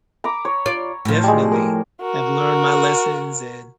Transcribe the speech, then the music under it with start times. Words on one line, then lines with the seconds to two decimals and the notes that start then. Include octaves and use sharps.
definitely have learned my lessons and
0.24 A#5 B5 D6
0.45 C#5
0.66 F4 D5
1.05 A2 F3
1.24 G3 G#3
1.52 A#4
2.02 F#4 A#4